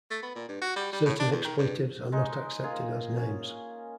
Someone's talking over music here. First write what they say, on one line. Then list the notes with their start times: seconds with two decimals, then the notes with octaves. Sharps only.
Certain expletives are not accepted as names.
0.11 A3
0.23 B3
0.35 A#2
0.48 G2
0.62 F#4
0.76 G3
0.92 G3
1.06 A2
1.20 D4
1.32 E2
1.45 D#3
1.58 G2
2.12 G#3 D#4
2.64 A#3 F4 G#4
3.17 C#4